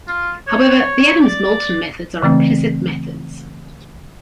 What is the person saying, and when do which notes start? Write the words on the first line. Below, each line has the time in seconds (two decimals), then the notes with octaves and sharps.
However, the Adams-Moulton methods are implicit methods.
0.08 F4
0.47 C#5
1.20 D5
2.23 C#3 E3 A3 C4